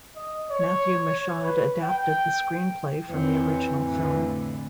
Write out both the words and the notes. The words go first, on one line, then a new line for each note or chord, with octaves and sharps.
Matthew Michaud adapted the screenplay from the original film.
D#5
C#5
B4
G5
F2 E3 C4 C#5
F2 A2 D3